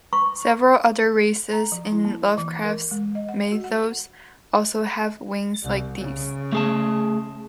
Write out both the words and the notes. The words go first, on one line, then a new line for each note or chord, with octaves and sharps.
Several other races in Lovecraft's Mythos also have wings like these.
C#6
A#5
F3
E4
A#3
E3
A#4
G#3
D#5
F#5
F#4
F#5
C2
C#3
A3 G#4 A5